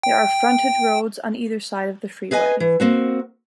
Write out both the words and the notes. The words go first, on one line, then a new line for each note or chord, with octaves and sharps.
There are frontage roads on either side of the freeway.
G5
G#4 B4 D#5 E5 G#5
E3
A#3 C4 F#4